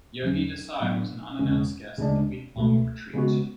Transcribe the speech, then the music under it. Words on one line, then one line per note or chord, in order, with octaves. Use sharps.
Yogi Desai was an unannounced guest at the week-long retreat.
E2 D3 F#3 C#4
A2 F#3 B3 D4
E2 C#3 G#3 C#4
D2 C#3 G#3 D4
C#2 B2 A3
C#3 G#3 B3 F#4